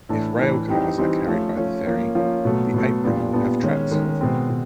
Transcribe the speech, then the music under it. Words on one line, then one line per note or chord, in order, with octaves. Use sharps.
If railcars are carried by the ferry the apron will have tracks for them.
A2 E3 A3 D4
A2 E3 A3 D4
E3 G3 C4 D#4 G4
E3 G3 C4 D#4 G4
F3 A3 C#4
F3 A3 C#4
F3 A#3 C#4
F3 A#3 C#4
B2 F#3 A3
B2 F#3 A3
A#2 G3 B3 D4
A#2 G3 B3 D4
D#3 G#3 C#4
D#3 G#3 C#4
B2 G#3 C4
B2